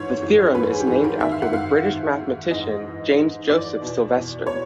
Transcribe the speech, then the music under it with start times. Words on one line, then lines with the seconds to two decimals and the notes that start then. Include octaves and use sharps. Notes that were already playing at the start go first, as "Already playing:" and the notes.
The theorem is named after the British mathematician James Joseph Sylvester.
Already playing: G#2 E3 C#5
0.22 G#2 E3
0.55 G#2 E3 B4
0.71 G#4
0.80 G4
0.87 G#2 E3 G#4
1.04 A#4
1.20 G#2 D#3 E5
1.31 F5
1.42 F#5
1.53 G#2 D#3 F5
1.85 G#2 D#3
2.19 G#2 D#3
2.51 G#2 E3 D#5
2.83 G#2 E3
3.16 G#2 E3
3.49 G#2 E3 D5
3.82 E2 B2
4.14 E2 B2
4.47 B2 C#5